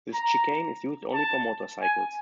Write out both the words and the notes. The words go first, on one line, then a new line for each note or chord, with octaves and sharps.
This chicane is used only for motorcycles.
A#5
A5
G#5